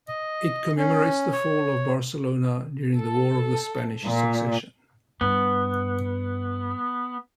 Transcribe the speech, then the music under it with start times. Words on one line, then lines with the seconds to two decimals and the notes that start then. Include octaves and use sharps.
It commemorates the fall of Barcelona during the War of the Spanish Succession.
0.08 D#5
0.77 C#4
1.33 C#5
2.97 A4
4.07 A#2
5.21 G2 B3